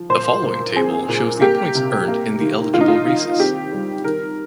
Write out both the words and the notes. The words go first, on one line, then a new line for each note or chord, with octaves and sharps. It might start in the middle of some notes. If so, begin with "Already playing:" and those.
The following table shows the points earned in the eligible races.
Already playing: F3
A#2 C5
A#2
C4 G#4
A#2
A#3 G4
C3
A#3
D#3
D#3 F4
D#4
F4
D#3
C4 G4
G3
D#3 A#4